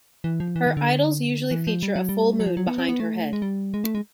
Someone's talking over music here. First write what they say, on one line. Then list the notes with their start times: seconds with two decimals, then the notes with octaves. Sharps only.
Her idols usually feature a full moon behind her head.
0.24 E3
0.40 F3
0.56 E3
0.66 D#3
0.77 D3
1.51 E3
1.67 F3
1.83 G3
1.96 F#3
2.09 G3
2.40 F#3
2.46 F3
2.57 F#3
2.67 B3
2.78 C4
2.89 B3
3.00 A3
3.33 G#3
3.42 G3
3.74 G#3
3.84 A3
3.95 G#3